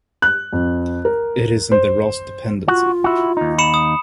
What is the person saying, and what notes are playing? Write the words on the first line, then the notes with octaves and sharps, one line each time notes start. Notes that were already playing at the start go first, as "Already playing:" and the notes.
It is in the Ross Dependency.
F#6
F2
A#4
C5
F4 F#4
E4 F#4
D#2 D#4
B5 C#7 E7
D#6